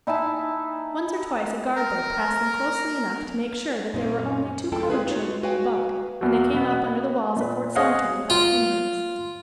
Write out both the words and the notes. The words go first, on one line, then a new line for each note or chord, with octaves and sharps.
Once or twice a guard-boat passed them closely enough to make sure that there were only two colored children in the boat, and they came up under the walls of Fort Sumter without a hindrance.
D#4 E4 G#5 A5
A#4 A#5
F#2 A#2 G3 C4 C#4 D#4
F2 G#3 E4 A4 G5 A5
C4 C#4 G#4 B4
D#4 F4 F#4 G#4 B4 C#5
F#4 B4 C#5 F5 G5 G#5
E2 F#3
B2 B3
A#2 B4
G#4 C5 C#5 D#5 F5 F#5
F4